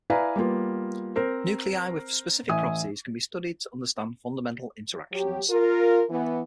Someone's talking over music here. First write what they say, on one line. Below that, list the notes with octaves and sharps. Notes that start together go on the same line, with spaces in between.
Nuclei with specific properties can be studied to understand fundamental interactions.
E4 B4 D5 F5 G#5 A#5
G3 A#3 B3 F4
C4 A#4 C5
A1 E5 G#5 D#6
F#3 G4
F4 A#4
E3 B3